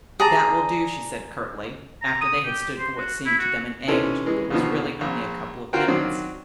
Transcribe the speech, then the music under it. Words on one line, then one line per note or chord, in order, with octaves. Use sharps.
"That will do," she said curtly, after they had stood for what seemed to them an age, but was really only a couple of minutes.
G#4 D5 A5 A#5
A#5
D#6
G4
C5
F#4
E4
F#4
C3 E3 C#4 D#4 A4
E3 G#3
A#1 B2 D#3 F3
A#1
F4 F#4 A#4 C5 F#5 G5
D#3 F#3 C4 D4